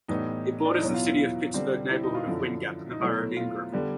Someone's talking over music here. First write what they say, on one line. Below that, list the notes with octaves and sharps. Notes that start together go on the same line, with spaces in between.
It borders the city of Pittsburgh neighborhood of Windgap and the borough of Ingram.
A2 E3 G3 B3 D#4
D4
D#4
E2 B2 F#3 B3 E4
F4
E4
F4
D3 G3 C4
E4
D#4
F4
F#2 D3 F3 E4
D#4
B2 F#3 A3 E4
F4
D3 G3 B3